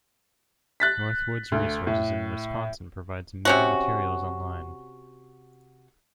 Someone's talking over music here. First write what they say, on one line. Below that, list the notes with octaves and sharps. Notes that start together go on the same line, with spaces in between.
Northwoods Resources in Wisconsin provides many materials online.
F#6 A6 B6
D2
A2
C3 C#4 F#4